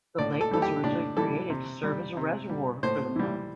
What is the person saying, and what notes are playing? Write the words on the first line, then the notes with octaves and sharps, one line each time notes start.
The lake was originally created to serve as a reservoir for a mill.
A2 D5
A4
E3 G3 A4
G4
A2 D4
E3 G3 A4
C3
G3
C3
G3
A2 C5
E3 G3